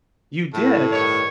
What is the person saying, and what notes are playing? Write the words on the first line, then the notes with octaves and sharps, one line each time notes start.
You did?
A2
G2 D#3 C#5